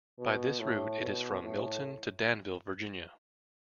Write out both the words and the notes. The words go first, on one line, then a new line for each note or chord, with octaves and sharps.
By this route it is from Milton to Danville, Virginia.
B2
A2
B2
A2